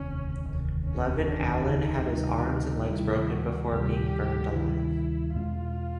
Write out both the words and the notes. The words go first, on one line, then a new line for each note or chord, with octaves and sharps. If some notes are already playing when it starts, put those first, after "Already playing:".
Levin Allen had his arms and legs broken before being burned alive.
Already playing: E1 D2 C3 D#3 C#4
E1 D2 C3 D#3
C#4
E1 D2 C3 D#3 D4
D#4
D2 C3 D#3 G3
D2 C3 D#3 G3 E4
F#4
D2 C3 D#3 G3 G4
D2 C3 D#3 G3 E4
E2 B2 G#3 C#4 F4